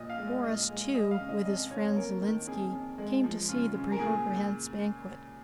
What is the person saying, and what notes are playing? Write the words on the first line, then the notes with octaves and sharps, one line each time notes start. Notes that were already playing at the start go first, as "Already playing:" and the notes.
Boris, too, with his friend Zhilinski, came to see the Preobrazhensk banquet.
Already playing: A#2 D#5
F5
G#3
D#5
A#2 D#5
G#3
G#3 D#5
F5
C#3
D#5
F2 D#5
F2 C#5
C#5
A#3 A#4
D#3
F2 G#4
F2
G#3
F3
C#3 F4
C#3
A#4
A#2 G#4